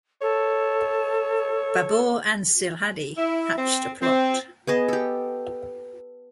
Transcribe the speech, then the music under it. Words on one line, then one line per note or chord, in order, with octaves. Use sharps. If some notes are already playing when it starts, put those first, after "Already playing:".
Babur and Silhadi hatched a plot.
A4 C#5
E4
C4
C4
B3 G#4 D#5 A5
G4 A4